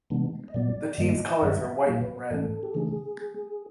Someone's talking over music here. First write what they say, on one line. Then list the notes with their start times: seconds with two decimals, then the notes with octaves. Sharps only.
The team's colors are white and red.
0.10 C3 E3 G#3 B3 D4
0.48 D#5
0.54 A#2 F#3 B3 D5
0.98 G2 D#3 G3 A#3 D#5
1.42 G2 D#3 F#3 E5
1.86 A#2 F#3 A#3 F5
2.01 B4
2.30 G#2 E3 A3 C#4 A4
2.63 G4
2.74 C#3 E3 A3 D4 G#4